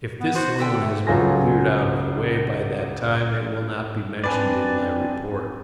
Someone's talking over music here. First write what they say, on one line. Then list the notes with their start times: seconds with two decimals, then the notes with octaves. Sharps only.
If this loan has been cleared out of the way by that time it will not be mentioned in my report.
0.21 B3
0.35 F#4 C5
0.59 D3 B3 A4 G5
0.81 A3
1.07 C#2 F#3 F4 A4 G#5 A#6
4.24 C4 D4 B4 D5 G#5